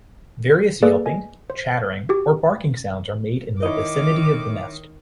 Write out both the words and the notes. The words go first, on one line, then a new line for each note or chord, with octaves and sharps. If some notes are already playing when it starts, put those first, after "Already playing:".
Various yelping, chattering or barking sounds are made in the vicinity of the nest.
A#3 G#4 A4 B4 D5
D#5 G#5
C5
F#4 G4
D#3 D#4 E4 C#5 D#5 D6